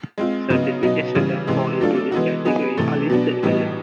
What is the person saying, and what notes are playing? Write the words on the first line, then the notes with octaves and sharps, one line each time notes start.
Certifications that fall into this category are listed below.
G#3 C4 F4
C#3 F#3 B3 D#4
B2 F#3 B3 D#4
C#3 E3 G3
C3 E3 G#3
F#3 A3 D4 F4 A4
E3 G#3 B3 D#4 F#4
F#3 B3 D#4 G#4 B4
C3 E3 A3
B2 F#3 B3 D4
A2 E3 G3 B3 D#4